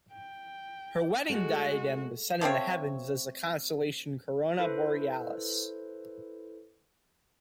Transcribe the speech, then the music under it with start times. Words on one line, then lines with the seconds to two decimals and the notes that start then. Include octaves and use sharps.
Her wedding diadem was set in the heavens as the constellation Corona Borealis.
0.12 G5
1.30 G#3 A3 F#4 A4
2.41 F3 A3 C4 C#5
4.59 E4 A4 B4 C5